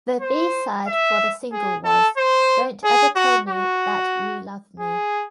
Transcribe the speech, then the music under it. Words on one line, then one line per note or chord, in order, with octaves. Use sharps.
The B-side for the single was "Don't Ever Tell Me That You Love Me".
C5
E5
G#4
A4
C5
G#4
F#4
F#4
G#4